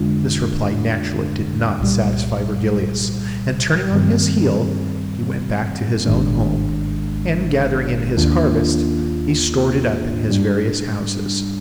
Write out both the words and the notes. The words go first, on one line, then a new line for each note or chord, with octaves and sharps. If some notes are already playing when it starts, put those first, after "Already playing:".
This reply naturally did not satisfy Virgilius, and, turning on his heel, he went back to his own home, and, gathering in his harvest, he stored it up in his various houses.
Already playing: F2 D3 G#3 D4 F4
C2 A#2 G3
G2 D#3 G3 C4
G#1 G#2 D#3 G#3 D4
D#2 D#3 A#3 D4 F4
G#2 G3 D4